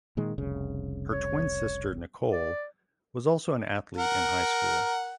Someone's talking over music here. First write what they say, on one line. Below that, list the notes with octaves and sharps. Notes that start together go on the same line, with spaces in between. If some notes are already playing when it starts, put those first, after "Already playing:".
Her twin sister Nicole was also an athlete in high school.
A#2 D#3 G#3
F1 C2 C#3
C#5
D5
A#4 F#5